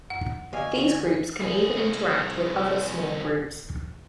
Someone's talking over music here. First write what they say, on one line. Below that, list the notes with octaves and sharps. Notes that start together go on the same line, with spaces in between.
These groups can even interact with other small groups.
F#2 F#5
D2 D5 D#5 F5 G#5
C2 G#4